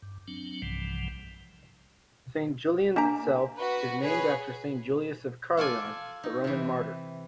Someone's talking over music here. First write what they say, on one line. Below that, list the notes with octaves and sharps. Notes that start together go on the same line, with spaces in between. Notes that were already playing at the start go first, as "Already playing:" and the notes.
Saint Julian's itself is named after Saint Julius of Caerleon, the Roman martyr.
G2
F#3 C4 D4
B1 G2 C3 E3 F3 G3
A#3 D4 F5 G#5 A#5
F#4 B4
G#4 B4 C#5
F4 A4 D5 G#5
D#4
C3 E3